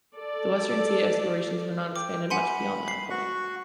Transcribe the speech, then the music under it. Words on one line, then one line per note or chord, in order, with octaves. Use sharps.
The western sea explorations were not expanded much beyond that point.
A4 D5
G5 D6
F#5 G#5 B5 C6
C7
F#4 C#6